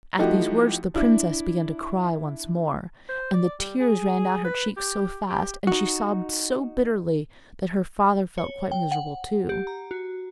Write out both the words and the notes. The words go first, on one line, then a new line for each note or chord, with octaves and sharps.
At these words the princess began to cry once more, and the tears ran down her cheeks so fast, and she sobbed so bitterly, that her father felt quite miserable too.
F3 A3 D#4 E4 F#4 G4
D4 E4
C5
D5
G3
G#4
B4
G4
G4
D#4 F#4
C#5
G5
F#5
G4
A#5
F#4